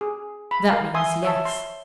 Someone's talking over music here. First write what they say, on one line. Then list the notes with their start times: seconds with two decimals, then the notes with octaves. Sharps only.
That means yes.
0.01 G#4
0.51 B5
0.69 A#4 F5
0.94 E5 G#5 C6 D#6
1.23 C#5 E5 A5
1.45 C6